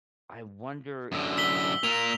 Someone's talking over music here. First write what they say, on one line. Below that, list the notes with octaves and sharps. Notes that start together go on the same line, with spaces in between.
I wonder
F#2 D3
E6 B6 G7
A#2 A#3 F7